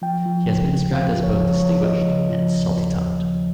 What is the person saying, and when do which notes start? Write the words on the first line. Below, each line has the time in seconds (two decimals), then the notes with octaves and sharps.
He has been described as both "distinguished" and salty-tongued.
0.02 F3 G5
0.26 F3
0.48 C#3
0.71 D#2
0.93 F3 F5
1.16 F3
1.24 C#5
1.40 F3
1.54 C#5
1.62 F3
1.84 F3 D#5
2.07 C#3
2.30 F3
2.53 D#2
2.75 D#2
2.99 D#2
3.21 F3